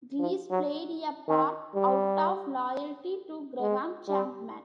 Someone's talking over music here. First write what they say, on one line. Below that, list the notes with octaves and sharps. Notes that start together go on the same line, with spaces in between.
Cleese played a part out of loyalty to Graham Chapman.
F3
F#3
D#3
G3
G#3
G3